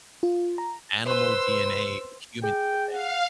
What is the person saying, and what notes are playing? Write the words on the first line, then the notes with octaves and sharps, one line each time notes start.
animal DNA with human DNA, and
F4
A#5
B4 C5 C6 E6
G#4 G5
F5 F#5